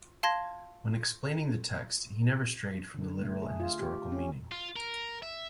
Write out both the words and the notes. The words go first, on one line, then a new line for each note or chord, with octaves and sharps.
When explaining the text, he never strayed from the literal and historical meaning.
F5 A5 C6 G#6 A#6
D3
A3
G#4
F4
G4
C#4
F4
A#4
E5